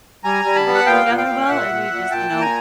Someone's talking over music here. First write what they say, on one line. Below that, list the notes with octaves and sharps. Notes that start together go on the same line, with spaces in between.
mesh together well, and we just you know,
G3 G#5 A#5
G3
A5 B5
B3
F#5
A#2 F5 G5
A#2
F5 G5
A#2
A#2 E5 F#5
A#2
A#2
A#2 G5 A5
A#2
G#5 A#5